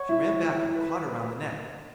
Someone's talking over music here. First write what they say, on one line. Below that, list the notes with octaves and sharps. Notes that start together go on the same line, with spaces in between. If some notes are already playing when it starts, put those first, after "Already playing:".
She ran back, and caught her round the neck.
Already playing: C#5 F#5
E4
E4
B4
B4